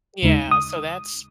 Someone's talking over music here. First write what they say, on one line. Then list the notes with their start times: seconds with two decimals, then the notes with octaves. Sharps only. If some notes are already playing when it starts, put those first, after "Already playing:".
Yeah, so, that's,
0.22 D#2 C#3 G#3 D#4
0.51 D#6